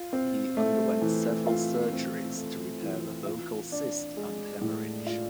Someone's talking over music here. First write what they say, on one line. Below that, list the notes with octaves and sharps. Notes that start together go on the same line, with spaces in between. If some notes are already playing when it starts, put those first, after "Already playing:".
He underwent several surgeries to repair a vocal cyst and hemorrhage.
Already playing: F4
C4
A3
E3
F4
C4
A3
E3
F4
D4
G#3
A2
F4